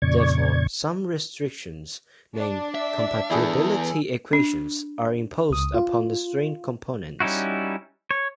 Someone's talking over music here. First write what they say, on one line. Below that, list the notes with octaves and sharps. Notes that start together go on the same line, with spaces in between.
Therefore, some restrictions, named "compatibility equations", are imposed upon the strain components.
F2 A#2 C#3 D5 C#6 G#6
D4
E5
E2 E4 G#4 A4
D4
C#2 D#6
F4
G3 C#4 D#4 E4 F#4
C#5